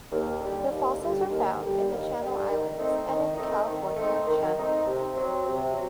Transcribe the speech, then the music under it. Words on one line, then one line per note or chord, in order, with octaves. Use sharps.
Their fossils are found in the Channel Islands and in the California Channel.
D#2
D3 G3
D#2
D3 G3
D#2
D3 G3
D#2
D3 G3
D#3
A3 C4 D#4
D#3
A3 C4 D#4
D#3
A3 C4 D#4
D#3
A3 C4 D#4
C3
F#3 C4
C3
F#3